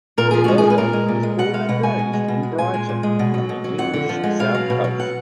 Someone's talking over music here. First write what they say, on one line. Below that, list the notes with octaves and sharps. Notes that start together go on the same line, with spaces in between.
Virgo was born and raised in Brighton, on the English South Coast.
A#2 A#4
F3 G#4
G#3 F#4
G#4
A#2
B4
A#2 A#4
G#3
A#2
G#3
B2 F#5
G#3 F5
B2 F#5
G#3 G#5
B2
G#3
B2
G#3
A#2 G#5
G#3
A#2
G#3
B2
F#3
B2
F#3
F2 F#5
D3
F3
G#3
B2 F5
F#3
B2
F#3
F#5